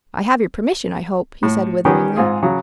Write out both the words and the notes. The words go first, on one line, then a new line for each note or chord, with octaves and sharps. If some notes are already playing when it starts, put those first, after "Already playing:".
"I have your permission, I hope?" he said witheringly.
A2
D#3 B3 C#4 G4 C#5
G#2 C4 F4 G#4
C#3 F#3